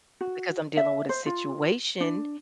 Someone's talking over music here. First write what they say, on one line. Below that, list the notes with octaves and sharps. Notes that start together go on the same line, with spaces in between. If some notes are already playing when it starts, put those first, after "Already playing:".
because I'm dealin' with a situation.
F#4
E5
C5
F4
D4